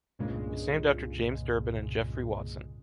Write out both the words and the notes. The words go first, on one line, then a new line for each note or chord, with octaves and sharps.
It’s named after James Durbin and Geoffrey Watson.
C2 G2 A#2 C#3 G#3